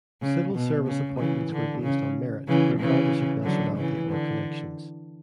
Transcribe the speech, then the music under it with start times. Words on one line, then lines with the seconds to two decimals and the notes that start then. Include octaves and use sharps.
Civil Service appointments were based on merit, regardless of nationality or connections.
0.22 C#3
0.54 B2
0.87 C#3
1.18 C#3 E3
1.52 D3
1.83 C#3
2.48 C#3 E3
2.80 C#3 E3
3.44 D3 F#3
3.76 C#3 E3
4.09 D3